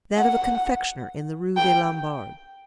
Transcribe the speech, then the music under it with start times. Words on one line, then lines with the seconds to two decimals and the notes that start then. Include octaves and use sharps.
"That of a confectioner, in the Rue des Lombards."
0.18 F#5
1.57 G5